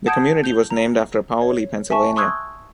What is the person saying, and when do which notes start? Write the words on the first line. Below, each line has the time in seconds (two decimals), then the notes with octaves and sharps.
The community was named after Paoli, Pennsylvania.
0.06 F#5 A5 D#6 G6 G#6 D7
0.44 G6 F7 G7
0.70 A#5
1.42 C#5
1.90 E5 G#5 A5 C#6
2.16 C6 C#6 D#6 E6 F#6 G#6